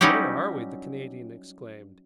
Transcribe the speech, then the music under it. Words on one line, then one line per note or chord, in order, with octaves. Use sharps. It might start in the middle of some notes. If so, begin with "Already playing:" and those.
"Where are we?" the Canadian exclaimed.
F#3 G3 C#4 D#4 E4 G4